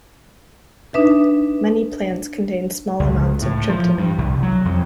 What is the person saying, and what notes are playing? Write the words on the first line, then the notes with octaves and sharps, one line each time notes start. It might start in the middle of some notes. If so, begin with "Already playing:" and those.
Many plants contain small amounts of tryptamine.
D4 D#4 B4 E5
C#2
A2
F3
G2
C2
F#3
F2